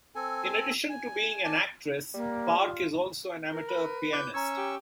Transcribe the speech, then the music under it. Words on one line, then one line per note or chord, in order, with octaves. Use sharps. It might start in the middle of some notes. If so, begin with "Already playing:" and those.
In addition to being an actress, Park is also an amateur pianist.
C4 A4 G#5
G#5
D5 G#5 A5
G3 A#3
F4
A#4
B4
E4 D6 F#6 G6
C#4 A#5 C#6 E6 G#6
G4